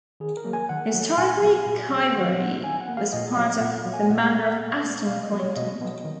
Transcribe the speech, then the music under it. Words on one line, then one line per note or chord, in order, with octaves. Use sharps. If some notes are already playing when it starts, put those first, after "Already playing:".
Historically Chivery was part of the manor of Aston Clinton.
D#3 G#4
A#4
F#3 A#3
G#5
D#3 F#5
F#3 A#3
A#2 G#5
F#3 B3
A#2
F#3 B3
D#3 F#5
F5
F#5
A#3
D#3 G#5
F#5
A#3
F5
A#2 D#5
F#3 A#3 F5
A#2 F#5
F#3 A#3
G#5
A#2 F#5
G#3 B3
A#2
G#3 B3
B2 F5
D#5
F#3 B3
C#5
B2 D#5
F#3 B3
D#3